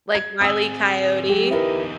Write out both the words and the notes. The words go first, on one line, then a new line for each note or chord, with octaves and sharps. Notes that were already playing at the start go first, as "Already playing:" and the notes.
Like, Wile E. Coyote?
G#6
C4 G#4 D#6 E6
F#3 G#3 G4
E2 D#4 E4 A#4 B4